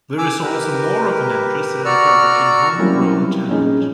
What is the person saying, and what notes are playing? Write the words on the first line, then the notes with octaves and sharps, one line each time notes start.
There is also more of an interest in encouraging home grown talent.
G#5 D6 E6
G4 A#4 B4
F#4 D5 A#5 C#6 E6 F6
F#3 G3 A#3 C4 C#4 E4
A#2 F3 C#4 D#4 G#4